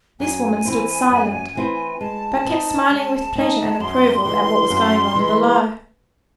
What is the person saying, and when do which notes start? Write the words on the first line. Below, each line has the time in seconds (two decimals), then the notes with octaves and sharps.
This woman stood silent, but kept smiling with pleasure and approval at what was going on below.
0.20 F#2 G#5
0.65 E3 C4 E4 C5
1.10 F#2
1.55 E3 C4 E4 C5
2.00 G#3 A5
2.45 C4 D#4
2.90 G#3
3.35 C4 D#4
3.80 F#2 C6
4.25 E3 G#3
4.70 F#2
5.15 E3 G#3